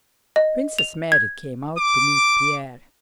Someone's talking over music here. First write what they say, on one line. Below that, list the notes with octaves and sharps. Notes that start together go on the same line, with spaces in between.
Princess Mary came out to meet Pierre.
D#5
F7
G#6
D6